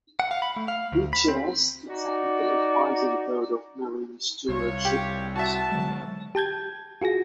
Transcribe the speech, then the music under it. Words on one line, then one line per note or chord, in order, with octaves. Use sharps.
He chairs the technical advisory board of Marine Stewardship Council.
F#5
F5
B5
A3
F5
D2
B5
C4
D#4 F#4 D5
C2 F4 C#5
G4
F#4 E5 A5
D3 F#3 G#3
G4 A5 G6 G#6
F4 F#4 G#4 A#6